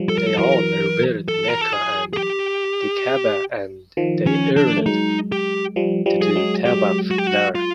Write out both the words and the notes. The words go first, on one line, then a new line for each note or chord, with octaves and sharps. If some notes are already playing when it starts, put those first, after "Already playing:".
They all revered Mecca and the Ka'bah and they yearned to do tawaf there.
Already playing: F3 G3
A4
A#4
A4
E3 F#3 A#4
A4
A#4
A4
G#4
G#4
G4
D#3 F3
C#4
D4
A3
F#3 G#3 D#4
G4
F3 G3
F3 G3
G#4
F#3 G#3
F#3 G#3 G4
F#4
G4
F#4
F4